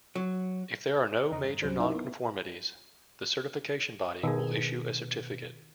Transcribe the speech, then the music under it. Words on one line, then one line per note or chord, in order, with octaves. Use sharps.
If there are no major nonconformities, the certification body will issue a certificate.
F#3
E2 C#3 D#5 A#5 D#6
G2
C2 G2 F#3 C#4 C5
D#4 E4 A#4 E5
B3
B2 D#3 G#4